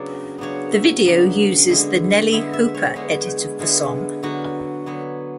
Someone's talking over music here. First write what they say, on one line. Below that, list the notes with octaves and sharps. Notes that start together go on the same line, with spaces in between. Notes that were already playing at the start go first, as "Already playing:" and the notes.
The video uses the Nellee Hooper edit of the song.
Already playing: C#3 F#3 B3 D4 D5
C#3 F#3 B3 D4 C#5
E5
C#3 F#3 B3 D4
D3 G#3 B3 E4
D3 G#3 B3 E4 E5
E5
C#5
D3 G#3 B3 E4
D3 G#3 B3 E4
D3 F#3 B3 F#4
D3 F#3 B3